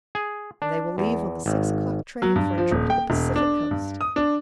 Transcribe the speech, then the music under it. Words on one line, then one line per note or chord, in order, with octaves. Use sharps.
And they will leave on the six o'clock train for a trip to the Pacific coast.
G#4
D4
E2
G#1
F#3
G2
F3
D#1
G5
E1
D4
G2
D#6
D4